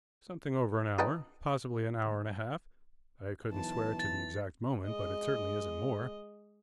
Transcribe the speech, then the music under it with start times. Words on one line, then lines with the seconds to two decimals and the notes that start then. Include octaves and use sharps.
'Something over an hour,--possibly an hour and a half; I couldn't swear to the exact moment, but it certainly isn't more.'
0.99 D#4 F4 B4 D#5 G5 A5
3.52 B1 E3 A5
4.00 A6
4.85 G#3 D#5